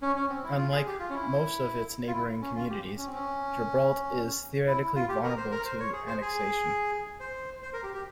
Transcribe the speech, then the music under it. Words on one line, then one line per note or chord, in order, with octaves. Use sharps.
Unlike most of its neighboring communities, Gilbert is theoretically vulnerable to annexation.
C#4
C#4
C4
E4
F4
G#4
G4
F4
C#4
E4
F4
E4
C#4
F4
G4
C#4
C4
C#4
E4
E4
F4
G4
A#4
C5
A#4
C5
C#5
G#4
C5
G#4
C5
C5
A#4
G4
G4